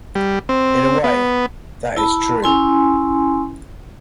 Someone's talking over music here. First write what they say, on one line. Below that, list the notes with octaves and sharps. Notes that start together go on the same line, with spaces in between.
In a way, that is true.
G3
C4
B3
E4 A5 B5
C#4 E4 G#5 C6